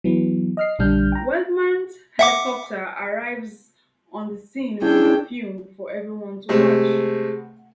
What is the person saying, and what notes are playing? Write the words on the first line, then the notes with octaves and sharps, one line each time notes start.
Weidmann's helicopter arrives on the scene with the film for everyone to watch.
E3 F#3 B3
D#5 F6 C7
A#1 D3 G3 D4 F6 G6
G5 A#5
E5 F#5 D6
C#4 D4 E4 G#4 G5
C3 G#3 A3 C4